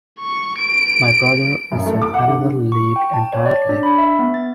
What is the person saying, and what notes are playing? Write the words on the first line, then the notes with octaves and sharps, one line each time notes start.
My brother is in another league entirely.
C#6
D7
F#2
A3
D6
F#5
D3
C#6
G5
A5
C#5
D5
D4
B5
E5
B3
A6